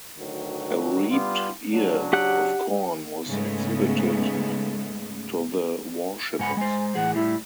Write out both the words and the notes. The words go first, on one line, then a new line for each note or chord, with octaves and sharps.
A reaped ear of corn was exhibited to the worshipers.
D2 D#3 F#3
G3 B3 F4
C#3 F#3 D4
G4 F#5 F#6
G#2 C#3 G#3 A3 B3
G#2 F#5 G#5 B5
G#3 C5 G#5
A2 E3 G#4 F#5
A2 G3 E4